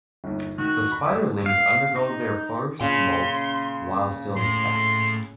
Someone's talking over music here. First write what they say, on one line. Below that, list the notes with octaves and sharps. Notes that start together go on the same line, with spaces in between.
The spiderlings undergo their first molt while still in the sac.
G1 D#2
D#3 F#4
B5
E5 D#6 E6
F5
D#4
A#2 C#3 C6
A2 C6